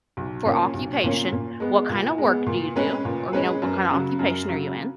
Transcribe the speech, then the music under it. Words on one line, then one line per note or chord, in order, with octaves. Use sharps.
for occupation, "What kind of work do you do?" Or, you know, "What kind of occupation are you in?"
B1
A#2 A#3 C#4
B1
A#2 A#3 C#4
A#2
G#3 B3
A#2
G#3
B3
A#2
G#3 C#4 G#4 B4
A#2
G#3 C#4 G#4 B4
F#2
C#3 F#3
F#2
C#3 F#3